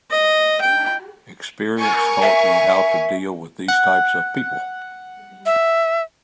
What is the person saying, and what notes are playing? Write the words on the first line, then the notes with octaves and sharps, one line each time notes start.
Experience taught me how to deal with these types of people.
D#5
G5
A#4 G#5 C#6
E5
F#5
E5